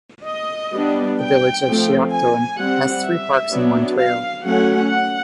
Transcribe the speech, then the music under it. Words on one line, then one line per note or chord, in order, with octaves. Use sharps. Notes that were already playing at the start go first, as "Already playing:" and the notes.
The village of Shiocton has three parks and one trail.
D#5
G3 B3 D4
G5
F3 A3 C4
G#5
G3 C4 F#5
E5
F#3 B3 D4
F5
F#3 A3 C#4 F#5
F#5